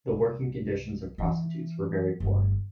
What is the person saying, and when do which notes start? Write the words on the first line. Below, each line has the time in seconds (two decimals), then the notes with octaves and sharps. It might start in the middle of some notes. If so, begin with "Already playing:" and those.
The working conditions of prostitutes were very poor.
0.08 C2
1.18 E3
2.20 G1 A2